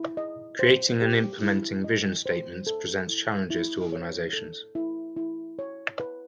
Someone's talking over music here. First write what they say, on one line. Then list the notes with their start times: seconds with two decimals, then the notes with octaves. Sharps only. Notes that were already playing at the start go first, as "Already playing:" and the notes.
Creating and implementing vision statements presents challenges to organizations.
Already playing: E4
0.17 D#5
0.59 C5
1.02 G4
1.42 E4
1.84 D#5
2.26 C5
2.67 A4
3.09 E4
3.50 E4
3.92 C#5
4.33 A4
4.75 E4
5.17 E4
5.59 C#5
6.00 B4